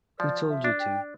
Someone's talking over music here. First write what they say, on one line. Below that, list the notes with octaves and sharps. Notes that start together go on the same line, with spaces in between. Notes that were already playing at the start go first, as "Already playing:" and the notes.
Who told you to?
F3 D5
E5
D4
G5